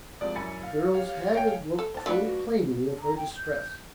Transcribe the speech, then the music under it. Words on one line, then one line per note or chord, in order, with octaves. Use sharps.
The girl's haggard look told plainly of her distress.
C2 F3 G#3 D5 D#6
F#2 E4 G#5 B5 A6 C#7
F5
G4 C#5 F5
C#5 F5 G5 G#5
A4
C5 A5
F#3 A3 D4 F4 B4
F#4
D4
A#5
G5
G6